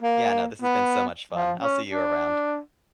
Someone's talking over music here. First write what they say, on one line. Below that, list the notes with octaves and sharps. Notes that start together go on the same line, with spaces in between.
Yeah, no, this has been so much fun, I'll see you around.
A#3
B3
F3
C#4
D4